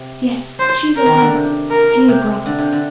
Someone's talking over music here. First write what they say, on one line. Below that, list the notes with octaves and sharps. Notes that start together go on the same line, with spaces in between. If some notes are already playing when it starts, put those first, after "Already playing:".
'Yes, she is alive, dear, dear brother!
Already playing: C3
C5
A#4
D#3
D3
C3
A#4
C3
D3
C3
D3